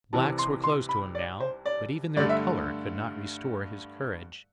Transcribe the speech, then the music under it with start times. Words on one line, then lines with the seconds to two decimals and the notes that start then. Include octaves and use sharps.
The blacks were close to him now, but even their colour could not restore his courage.
0.13 C2 C3 E3 G3 A5
0.39 C6
0.64 C6
0.89 B5
1.15 D5
1.40 C5
1.66 D5
2.16 G2 D3 A3 D5
2.29 E5